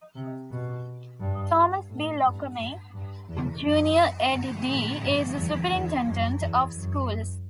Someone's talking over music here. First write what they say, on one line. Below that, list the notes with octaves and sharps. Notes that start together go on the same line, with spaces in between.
Thomas B. Lockamy, Junior Ed.D., is the Superintendent of Schools.
C3
B2
G2
A2
G2
G2
G2
E2
F#2
G2
A2
G2
E2
E2
F#2
E2
F#2